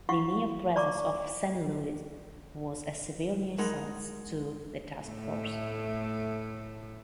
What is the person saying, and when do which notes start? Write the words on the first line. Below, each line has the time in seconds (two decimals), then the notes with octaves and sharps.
The mere presence of "San Luis" was a severe nuisance to the Task Force.
0.09 E4 F5 F#5 C#6
0.76 D5 A#5 C#6 D6
3.58 G#3 D#4 A#4 F#5
5.05 A2 A3